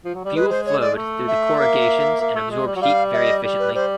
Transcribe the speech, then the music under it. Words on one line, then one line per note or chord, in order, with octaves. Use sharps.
Fuel flowed through the corrugations and absorbed heat very efficiently.
F3
F#3
G3
G#3 B4
C5
C#5
D5
A3
E5
A#3
A#3
A3
G#3
G3
F#3
G3 F5
E5
D#5
G3
B4
G3 C5